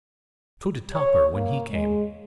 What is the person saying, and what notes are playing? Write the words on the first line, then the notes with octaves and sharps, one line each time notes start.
So did Topper when he came.
C#5
A#3
G#3